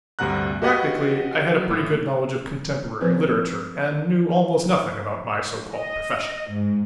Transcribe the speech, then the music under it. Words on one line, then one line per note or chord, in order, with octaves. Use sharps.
Practically I had a pretty good knowledge of contemporary literature and knew almost nothing about my so-called profession.
D2 G2 C3 F#5 A#5 F#6
F#4 G4 B4 D#5 F5 F#5
F#3
A2
F3 C4 B4 C5
D#5
G#2